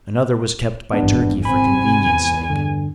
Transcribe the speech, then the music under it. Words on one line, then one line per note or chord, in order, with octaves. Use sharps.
Another was kept by Turkey for convenience sake.
G#1 E2 G2 B3 D4
G#1 C3 C4 G#5 B5
E2
G2 D3